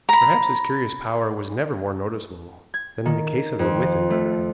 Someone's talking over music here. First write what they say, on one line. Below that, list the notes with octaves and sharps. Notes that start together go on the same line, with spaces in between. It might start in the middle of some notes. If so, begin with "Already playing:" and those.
Perhaps his curious power was never more noticeable than in the case of the Withan murder.
A#5 B5
G#6
D#3
F2
F3
A3